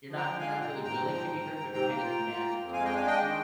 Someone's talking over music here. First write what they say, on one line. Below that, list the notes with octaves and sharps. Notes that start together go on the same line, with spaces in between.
you're not you're not really willing to be heard, but you're kinda demanding to be heard.
F3
G5 A#5
F3
G#3 F5 G#5
A#2
G5 A#5
G#3
G#2 G5 A#5
F3
G#2
G#2
G#2
G#2
C3 G5 A#5
A#3
F4
A#3
F4
A#3
F2
G#3 F5 G#5
D#5 G5
D4 F5 G#5
G#3 D#5 G5
D#3